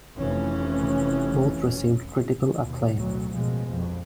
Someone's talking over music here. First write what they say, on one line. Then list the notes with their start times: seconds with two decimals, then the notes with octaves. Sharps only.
Both received critical acclaim.
0.16 F1 E3 C#4
2.63 D#2 B2
2.95 A1 D2 B2 F#3
3.33 A1 F#2 B2 F3 G#3
3.70 A#1 F2 F3